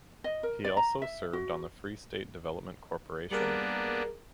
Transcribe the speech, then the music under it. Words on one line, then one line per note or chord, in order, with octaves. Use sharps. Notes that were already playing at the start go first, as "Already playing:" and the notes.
He also served on the Free State Development Corporation.
D#5
A#4
D5
A#5
E5
F#4
G3 A#3 B3 D4 G#4 A#4